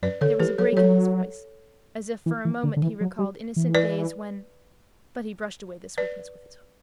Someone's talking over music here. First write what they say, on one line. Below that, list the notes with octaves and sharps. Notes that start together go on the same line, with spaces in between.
There was a break in his voice, as if for a moment he recalled innocent days when--but he brushed away this weakness with his hook.
F#2 B4 D5
D3 A4 C#5
E3 G4 B4
F#3 A4 C#5
G3
F#3 A4 C#5
E3
E3
D3
D3
E3
F#3
G3
E3
B4 D5
B4 D5